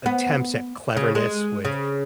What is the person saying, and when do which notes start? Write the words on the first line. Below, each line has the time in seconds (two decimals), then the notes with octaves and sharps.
attempts at cleverness would
0.06 B3
0.97 C#3
1.15 G#3
1.65 C#3